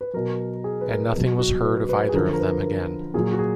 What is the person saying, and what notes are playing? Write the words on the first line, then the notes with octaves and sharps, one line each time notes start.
And nothing was heard of either of them again.
B4
B2 F#3 A#4
G#4
B4
A#4
B2 F#3
F#4
B4
B4
G#4
D3 F3 A#4
A#4
B4
A#4
A#2 F#3 G#4
F#4
G#4